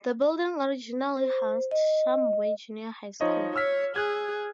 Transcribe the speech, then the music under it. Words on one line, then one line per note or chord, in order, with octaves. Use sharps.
The building originally housed Shumway junior high school.
C5
D#5
F3 D#4 C#5 D#5
C#5 E6 F6 B6
G#4 F#6 G#6